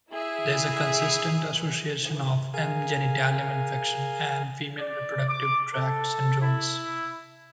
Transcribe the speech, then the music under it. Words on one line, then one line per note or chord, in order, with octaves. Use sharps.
There is a consistent association of M. genitalium infection and female reproductive tract syndromes.
E4 G#4 E5
G#4 A#4 F5 G#5
D5
D6
A4
E4